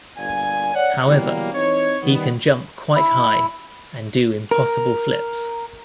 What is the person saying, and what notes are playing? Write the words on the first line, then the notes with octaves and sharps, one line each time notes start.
However, he can jump quite high, and do impossible flips.
G1 A#2 G#5
C#5 D5 F#5
B2 E3 F#3 G3 A#3
E3 C4 D#4 C#5
D#3 G3 B3
E4
A#4